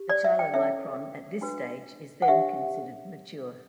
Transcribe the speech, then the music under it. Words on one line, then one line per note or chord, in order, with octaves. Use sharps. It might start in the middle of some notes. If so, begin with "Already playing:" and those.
The chylomicron at this stage is then considered mature.
Already playing: G4
D5
E5
G5
C#4 E4 A4 C#5 E5
D4 F#4 B4
F#5
D4 G4 C#5 E5